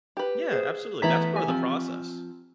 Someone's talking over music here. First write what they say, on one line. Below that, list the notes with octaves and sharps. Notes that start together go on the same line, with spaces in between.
Yeah, absolutely, that's part of the process.
G4 B4
G#4 C5
E3 A3 B3 E4 A#5 B6
G4 G#5
F3 C4